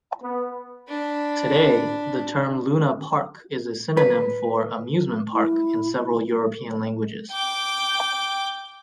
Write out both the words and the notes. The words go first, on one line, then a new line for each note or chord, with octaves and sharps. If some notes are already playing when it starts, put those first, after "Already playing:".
Today, the term "Lunapark" is a synonym for "amusement park" in several European languages.
B3
D4 B5
B4
E4
G5 D6